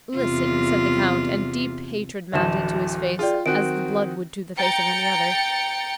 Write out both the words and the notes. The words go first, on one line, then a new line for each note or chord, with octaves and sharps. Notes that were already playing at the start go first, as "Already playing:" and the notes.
"Listen," said the count, and deep hatred mounted to his face, as the blood would to the face of any other.
E2 C3 F4
D1 A1 D2 E5 A5 E7
F4 G#4 D5 G5
D#3 C4 F#4 D7
G5 A#5 A6 C#7